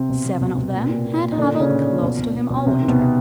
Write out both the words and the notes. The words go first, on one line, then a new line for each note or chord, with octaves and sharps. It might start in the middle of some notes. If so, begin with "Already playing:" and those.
Seven of them had huddled close to him all winter.
Already playing: C3 C4
B2
B2
B2
B2
A#2
A#2
A#2
A#2
D#4
A#2 D3 D4
A#2
C#3 C#4
A#2
A#2
B2
B2
B2
B2
C#4
C3 C4
D#3
B2 B3
C3